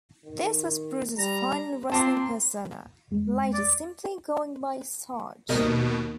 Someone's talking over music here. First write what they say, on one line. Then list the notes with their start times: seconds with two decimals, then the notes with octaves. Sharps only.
This was Bruce's final wrestling persona, later simply going by Sarge.
0.25 D#3
1.18 G3 A#5
1.92 C4 F4 A5 A#5 C6 D6
3.11 E2 G#3
3.54 D5
5.49 D#2 B2 A#4 D#5